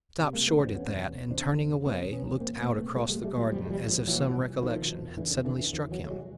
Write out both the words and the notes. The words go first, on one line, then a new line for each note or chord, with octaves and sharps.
He stopped short at that, and turning away, looked out across the garden as if some recollection had suddenly struck him.
C3
G#3 A#3
C3
A3 B3
E2 C4 D4
E2 B3 C#4
C3
C3
E2 C4 D4
E2
C3
C3 B3 C#4
E2
B3 C#4
E2
A#2 A#3 C4
A#2 A#3 C4
C2 A3 B3
C2 G#3 A#3
G3 A3
A#2
G3 A3
A#2 F#3 G#3
C2 F3 G3
G#3
C2 F3 G3
A#2 F3 G3
A#2 E3 F#3
C2
C2
B2 D#3 F3
B2
E2
E2 D3 E3
D3
B2
D3 E3
B2
D3 E3
E2 D#3 F3
E2 E3 F#3
A3
B2 F#3 G#3